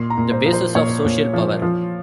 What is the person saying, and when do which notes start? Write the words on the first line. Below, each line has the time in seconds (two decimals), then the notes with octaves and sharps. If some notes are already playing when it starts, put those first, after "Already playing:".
The bases of social power.
Already playing: A#2 C6
0.10 A#5
0.18 A#2
0.32 C5
0.46 F3
0.53 C5
0.75 A#2 C#5
1.05 A#2
1.33 F3
1.62 F3